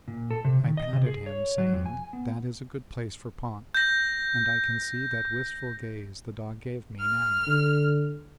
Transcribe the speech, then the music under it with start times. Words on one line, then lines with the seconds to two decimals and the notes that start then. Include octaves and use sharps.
I patted him saying that is a good place for Pont, and I can see that wistful gaze the dog gave me, now.
0.08 A#2
0.31 A4
0.45 C3
0.64 D#3
0.77 D#5
0.93 C3
1.06 G#4
1.26 C#5
1.58 F#3
1.73 F2
1.86 G#5
2.13 B3
3.74 G6 A#6
6.99 F6
7.47 D3